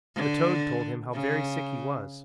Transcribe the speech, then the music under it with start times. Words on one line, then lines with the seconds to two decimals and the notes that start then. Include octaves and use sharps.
The toad told him how very sick he was.
0.16 D3
1.13 C#3